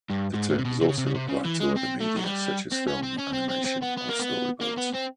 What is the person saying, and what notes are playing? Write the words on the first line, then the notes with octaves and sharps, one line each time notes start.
The term is also applied to other media, such as film, animation or storyboards.
G2
G#2
A2
C3
B2
C3
C#3
C3
C#3
C3
C#3
E3
G#3
C4
A3
F#3
G3
C4
C#4
C4
C#4
C4
C4
C4
B3
B3
A#3
B3
A#3
B3
C4